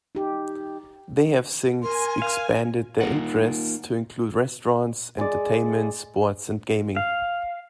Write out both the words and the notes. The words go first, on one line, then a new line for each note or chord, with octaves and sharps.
They have since expanded their interests to include restaurants, entertainment, sports and gaming.
D#4 G4
A#4 G#5 C6
A#4 F5
A#3 D#4 F4 A#4 F#5
G#3 D5
F5